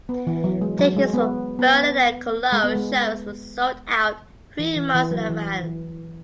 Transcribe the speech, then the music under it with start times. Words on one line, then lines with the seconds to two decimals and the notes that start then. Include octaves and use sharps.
Tickets for Berlin and Cologne shows were sold out three months in advance.
0.09 B3
0.27 E3
0.44 F#3
0.61 G#3
0.79 F#3
0.97 G#3
1.14 B3
1.59 B3
2.52 G#3
2.64 B3
2.75 G#3
4.59 E3
4.76 E3
4.94 E3
5.11 F#3
5.29 E3
5.63 E3